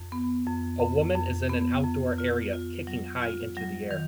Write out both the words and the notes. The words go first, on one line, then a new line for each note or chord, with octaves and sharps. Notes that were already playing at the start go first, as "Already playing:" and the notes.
A woman is in an outdoor area kicking high into the air.
Already playing: F2
B3
F2
F2
F2
B3
F2
F4
F4
F#3
F4
F#3
D#3